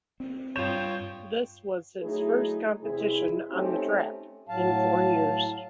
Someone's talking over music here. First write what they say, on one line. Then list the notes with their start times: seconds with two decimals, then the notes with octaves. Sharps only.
This was his first competition on the track in four years.
0.20 C4
0.56 G2 F4 C#5 G5 D#6 G6 E7 F7
2.02 F#3 A3 D#4 E4 G#4
2.81 E2 C3 G#3 E4 G#4
3.51 A3 C4 C#4 D#4 G4
4.49 A2 F#3 F5 A5